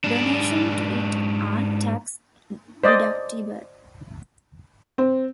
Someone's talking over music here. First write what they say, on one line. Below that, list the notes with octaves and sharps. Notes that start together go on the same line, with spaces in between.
Donations to it are tax-deductible.
G#2 D4
C5 D5 D#5
C4